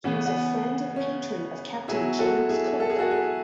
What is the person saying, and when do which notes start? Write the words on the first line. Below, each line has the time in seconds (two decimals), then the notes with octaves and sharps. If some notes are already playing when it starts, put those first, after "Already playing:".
He was a friend and patron of Captain James Cook.
0.04 C#3 E3 B3
0.25 B3
0.96 C#4
1.88 B2 F#3 E4 G#4
2.19 F#4 A4
2.49 E4 G#4
2.80 A4
2.90 G#4
2.99 F#4 A4
3.11 E4 G#4